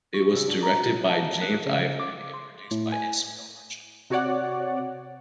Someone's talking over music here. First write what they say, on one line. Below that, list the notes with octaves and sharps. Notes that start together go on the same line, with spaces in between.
It was directed by James Ivory and produced by Ismail Merchant.
C#6
C#3 E6
D4 F#4
A#5
A5
F#6
C#3
D6
C6
A2
G#5
C3 F#4 C#5 D5 F#5